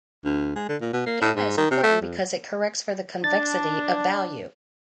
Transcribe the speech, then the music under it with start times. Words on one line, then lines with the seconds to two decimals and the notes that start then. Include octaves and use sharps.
Gamma is important because it corrects for the convexity of value.
0.25 D2
0.56 G#3
0.69 D3
0.81 A#2
0.93 B2
1.06 A#3
1.21 A2
1.36 G#2
1.57 D#3
1.71 C3
1.83 A3
2.01 F2
3.24 D4 A6